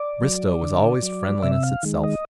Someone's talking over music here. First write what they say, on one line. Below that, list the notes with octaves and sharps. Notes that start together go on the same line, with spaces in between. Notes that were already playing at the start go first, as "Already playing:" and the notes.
Bristow was always friendliness itself.
Already playing: D5
F#3
D3
F#3
C3 E5
F5
D#3 G#3
D#5